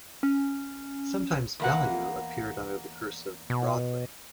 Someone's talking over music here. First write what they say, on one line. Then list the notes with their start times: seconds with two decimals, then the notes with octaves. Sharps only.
Sometimes "Value" appeared under the cursive "Broadway".
0.23 C#4
1.60 E2 A#3 F#5
3.50 B2